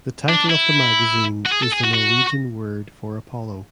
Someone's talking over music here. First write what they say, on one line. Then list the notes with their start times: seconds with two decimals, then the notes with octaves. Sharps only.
The title of the magazine is the Norwegian word for Apollo.
0.29 D4
0.50 E4
1.46 F#4
1.53 G#4
1.63 A4
1.73 G#4
1.84 F#4
1.94 F#4